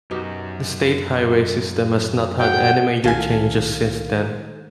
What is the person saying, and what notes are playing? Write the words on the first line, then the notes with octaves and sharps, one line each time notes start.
The state highway system has not had any major changes since then.
F#2 B2 D#4 F#4 G4
G#2 B2 F#3 F#5 G5
C2 D#3 A3 C#4 A4 F5 G#5